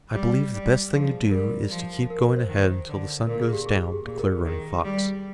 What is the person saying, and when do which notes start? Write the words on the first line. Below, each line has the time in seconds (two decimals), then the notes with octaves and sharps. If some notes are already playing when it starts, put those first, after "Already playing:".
"I believe the best thing to do is to keep going ahead until the sun goes down," declared Running Fox.
0.14 G3 G4
0.54 G3
0.93 F3 G#4
1.31 G3 A#4
1.70 F3
2.10 A#4
2.24 A#4
2.37 C5
2.49 D#3
2.89 D3
3.27 A#2 A#4
3.41 G#4
3.53 G4
3.66 G#4
3.80 G#4
3.92 G4
4.05 A#2 G#4
4.19 A#4
4.32 G#4
4.45 D#3
4.85 G3